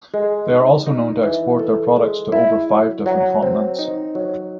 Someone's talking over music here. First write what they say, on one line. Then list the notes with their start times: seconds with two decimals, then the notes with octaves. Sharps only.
They are also known to export their products to over five different continents.
0.14 G#3
0.50 D#4
0.86 D#4
1.23 E3
1.59 A4
1.96 G#3
2.32 E4
2.70 F#3
3.06 F#3
3.42 C4
3.79 D#4
4.15 F#3